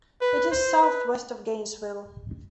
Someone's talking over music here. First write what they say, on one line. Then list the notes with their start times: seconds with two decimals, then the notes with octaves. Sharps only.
It is southwest of Gainesville.
0.21 B4
0.51 C5
0.82 B4